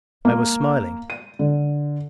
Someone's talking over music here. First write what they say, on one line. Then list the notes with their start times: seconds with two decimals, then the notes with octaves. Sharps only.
I was smiling.
0.25 A#3
1.10 D#7
1.39 D3